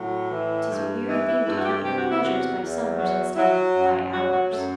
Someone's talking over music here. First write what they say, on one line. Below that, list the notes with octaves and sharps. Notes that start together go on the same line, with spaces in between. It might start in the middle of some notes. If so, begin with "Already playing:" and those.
'Tis a weary thing to count your pleasures by summers instead of by hours.
Already playing: A2 F#3
E3
G2
E3 D#4
E4
G2 E4
F#4
G4
C3 G4
F#4
E4
E2 F#4
E2
F#3
F#3 E4
F#2
F#3 F#4
F#4
F#2 A3